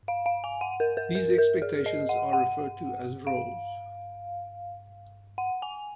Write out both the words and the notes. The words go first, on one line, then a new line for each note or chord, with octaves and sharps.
These expectations are referred to as roles.
F5
F5
G#5
F#5
A#4
A#4
A#4
A#4
G#4
D#5
F#5
F#5
F5
F#5
G#5